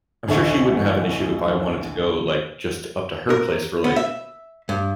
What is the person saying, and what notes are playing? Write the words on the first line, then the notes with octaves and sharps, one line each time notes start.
I'm sure she wouldn't have an issue if I wanted to go, like, just up to her place for, like,
A1 D2 D3 E5 C#6
A#4
B3
E5
G2